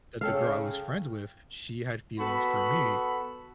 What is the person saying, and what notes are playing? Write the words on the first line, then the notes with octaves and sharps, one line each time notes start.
that the girl I was friends with, she had feelings for me,
C#3 A4 F5 G5 F6
B3 F#4 A4 B5